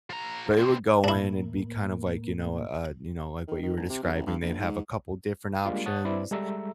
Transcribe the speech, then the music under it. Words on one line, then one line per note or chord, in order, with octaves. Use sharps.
But it would go in and be kind of like, you know, uh, you know, like what you were describing. They'd have a couple different options.
F3 A#5
B2 C4
A2 A#3 D4 E4
D#3
D#3
D#1
C3
B1
A1
G2
A#1
G#2
G3 G#3 A#3 D4 F4
C#5 F#5 A5 D#6 F#6 A6
C4 E4 B4 C5 D5
G3 G#3 A4 E5 A#5 E6